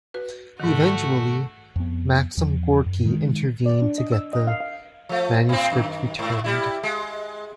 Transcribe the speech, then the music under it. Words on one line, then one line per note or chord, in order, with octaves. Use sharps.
Eventually, Maxim Gorky intervened to get the manuscript returned.
F#4 B4
G#2 D#3 A3 F#4
F2 B3
E2 F3
F#2
D#3 G#3
D5
D4
D#5
E6
D#5
F5
F5
F3 A3
A2 C4
F#2 D#3
G#2
G3 E4
G#3